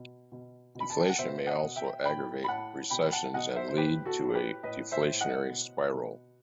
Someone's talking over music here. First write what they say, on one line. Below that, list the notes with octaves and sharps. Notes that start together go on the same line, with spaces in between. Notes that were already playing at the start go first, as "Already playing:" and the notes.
Deflation may also aggravate recessions and lead to a deflationary spiral.
Already playing: B2
B2
B2
B5
A5
G5
F#5
B2 C5 E5
D#5 F#5
B2
E5 G5
A2 G5 B5
B5
A2 F#5 A5
B2 G5 B5
F#5 A5
B2 D#5 F#5
C5 E5
C5
A2 G4 B4
F#4 A4
A2
G4 B4
A2 B4 D#5
C5 E5
A2
D#5 F#5
B2
B2